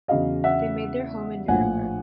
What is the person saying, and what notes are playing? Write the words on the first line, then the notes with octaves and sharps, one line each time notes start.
They made their home in Nuremberg.
E2 C#3 F#3 D#5 F5
E5 F#5
A#1 A2 F3 F#5 G#5